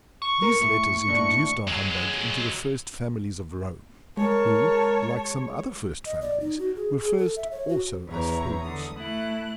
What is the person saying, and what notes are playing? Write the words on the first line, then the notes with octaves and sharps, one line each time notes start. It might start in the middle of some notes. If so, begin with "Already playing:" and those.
These letters introduced our humbug into the first families of Rome; who, like some other first families, were first also as fools.
C#6
A#4
A2
D#2 A2 D4
F#3 G#3
G#3 A#4 C#5 A5
D#5
D5
D#4
F#4
G#4
G#4
A4
E5
C#5
F#4
E2 C#5 A#5
D3 D#6
A3 E4 F#6